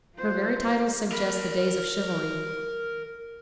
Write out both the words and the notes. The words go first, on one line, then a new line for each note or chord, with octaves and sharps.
Her very titles suggest the days of chivalry.
F4 C5
A#4 B5